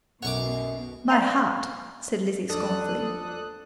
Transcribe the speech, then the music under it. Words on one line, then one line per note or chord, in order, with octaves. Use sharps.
"My heart!" said Lizzie scornfully.
B1 F#2 B2 C#5 F#5 C#6 D6
D5 E5 F5 G#5 A#5
F2 D4 A4 D#6 F#6